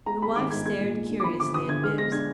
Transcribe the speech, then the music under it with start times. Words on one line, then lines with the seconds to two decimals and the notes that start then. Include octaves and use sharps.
The wife stared curiously at Bibbs.
0.06 G#3 A#5
0.22 G#3 B5
0.36 D#3 D6
0.50 G#2 G#6
0.66 G#3 G#6
0.80 A#2
0.95 G#3
1.10 D4
1.20 D6
1.24 F3 B5
1.40 D3 D6
1.53 D3 D#6
1.69 D3 G#6
1.84 G#3 F6
1.98 G#3 A#6
2.12 D4 G#6